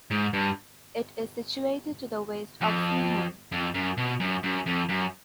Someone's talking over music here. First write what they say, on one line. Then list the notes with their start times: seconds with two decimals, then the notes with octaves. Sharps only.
It is situated to the west of Seaham.
0.11 G#2
0.33 G2
2.62 F2
3.52 F2
3.74 F#2
3.98 B2
4.20 F#2
4.43 F#2
4.66 F2
4.89 F#2